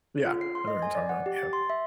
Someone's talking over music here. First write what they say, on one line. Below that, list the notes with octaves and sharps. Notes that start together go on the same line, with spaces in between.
Yeah, I know what you're talking about, yep.
F4
C7
C6
D#5
G#5
D5
F#5
G4
A6
C6
E5